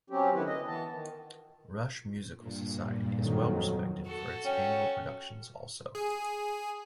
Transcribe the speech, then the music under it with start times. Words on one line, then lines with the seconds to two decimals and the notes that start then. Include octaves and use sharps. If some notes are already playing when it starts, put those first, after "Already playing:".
Rush Musical Society is well respected for its annual productions also.
0.10 F#3 C4 C#4 G4
0.34 D3 D#3 B3 E4 B4
0.46 D#5
0.67 E3 B3 A5
0.92 D#3
2.34 G2 A#2
3.18 F2 D#3 F#3
4.06 F#4 A4
4.45 C#4 G5
5.95 G#4